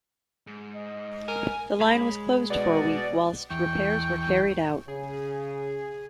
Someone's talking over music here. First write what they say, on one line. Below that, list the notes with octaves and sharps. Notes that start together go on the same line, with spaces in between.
The line was closed for a week whilst repairs were carried out.
G#2
D#5
A#4 G#5
G#3 C#5 B5
B2 D5
E2 G5 C#6
C#3 G#4